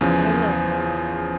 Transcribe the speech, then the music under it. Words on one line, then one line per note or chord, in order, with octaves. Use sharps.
I love him.
E2 C#3 F3